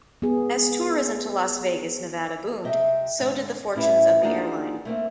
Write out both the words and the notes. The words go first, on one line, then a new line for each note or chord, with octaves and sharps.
As tourism to Las Vegas, Nevada, boomed, so did the fortunes of the airline.
B3 G#4
C3 D#5 E5 G5
G#2 D3
A2 C#4 E4 B4
A#3 D4 D#4 F4 F#4 G#4
A3 A#3 C4